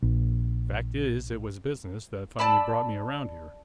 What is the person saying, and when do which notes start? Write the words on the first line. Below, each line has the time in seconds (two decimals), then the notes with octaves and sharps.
Fact is, it was business that finally brought me around here.
0.02 A#1
2.39 D5 A5 B5 E6